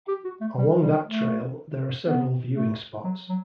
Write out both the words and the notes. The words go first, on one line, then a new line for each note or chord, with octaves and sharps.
Along that trail, there are several viewing spots.
G4
F#4
A3
G3
G3
A3
B3
A3
F#3
F#3